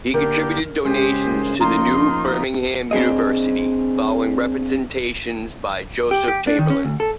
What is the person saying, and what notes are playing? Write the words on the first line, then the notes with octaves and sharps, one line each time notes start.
He contributed donations to the new Birmingham University following representations by Joseph Chamberlain.
D3 A#3 G4 A#4
C#3 G#3 G4 C5
F3 A#3 D#4 A#5 C6
C4 D4 G#4 D#5
G4
G4
D4
D#3
C#4
D2
A4